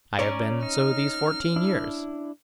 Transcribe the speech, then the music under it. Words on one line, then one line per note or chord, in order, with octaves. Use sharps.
"I have been so these fourteen years."
C#4 C#5 D5 A#5
D#4 F6
D4 E4